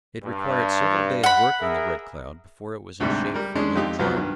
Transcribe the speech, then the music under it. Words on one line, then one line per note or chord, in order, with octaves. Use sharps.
It required several days' work on the Red Cloud before it was in shape for another trial.
G2
F#5 B5
G#4 A#4 E5
D2 G#2 C3 G3
G3 A#4
D#3 G#3 C#4 D4
F2 C4 D#4 G4
C2 F3 F#3 B3
G2 D#3